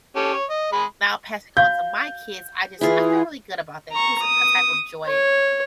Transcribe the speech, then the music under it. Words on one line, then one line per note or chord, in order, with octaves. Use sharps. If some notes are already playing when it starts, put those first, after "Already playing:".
now passing on to my kids, I just I feel really good about that. It is a a type of joy.
C#4 G4 A4
C#5
D#5
G#3 G#4 B5
F#4 F5 G6
E3 E4 F4 G#4
A#5 C#6
D#6
C#5